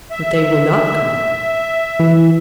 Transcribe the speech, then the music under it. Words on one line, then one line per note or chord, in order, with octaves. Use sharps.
"But they will not come."
E5
E3